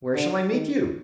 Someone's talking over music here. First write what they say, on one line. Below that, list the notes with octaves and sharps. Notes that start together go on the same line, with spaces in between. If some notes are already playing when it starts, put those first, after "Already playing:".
"Where shall I meet you?"
D3
D#3